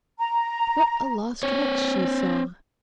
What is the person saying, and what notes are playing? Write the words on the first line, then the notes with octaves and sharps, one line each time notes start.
What a lost wretch she saw!
A#5
C4 C#5